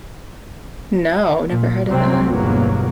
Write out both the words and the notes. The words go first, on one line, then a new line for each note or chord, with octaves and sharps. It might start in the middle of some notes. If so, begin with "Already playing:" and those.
No, never heard of that.
A#2
C2 C3 F#3 C4
G1 E2 B2 F#3 A#3